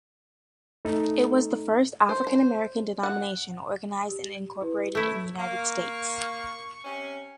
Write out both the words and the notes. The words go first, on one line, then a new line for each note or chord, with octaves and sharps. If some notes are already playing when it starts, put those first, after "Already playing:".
It was the first African-American denomination organized and incorporated in the United States.
A3 D#4
C5
C5
F#5
G4
E4 B4
A3 E4
A#3 C#6
C3 C#4